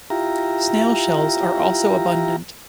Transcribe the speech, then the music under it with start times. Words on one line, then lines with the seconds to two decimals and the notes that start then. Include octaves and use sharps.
Snail shells are also abundant.
0.10 E4 F4 G4 A#5